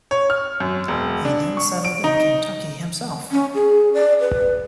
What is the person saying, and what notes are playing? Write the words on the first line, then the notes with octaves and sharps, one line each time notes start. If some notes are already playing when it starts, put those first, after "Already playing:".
He then settled in Kentucky himself.
C#5
F6
F#2
E1
D4
C#6
D7
D#4
C#4
G#4
D5
B4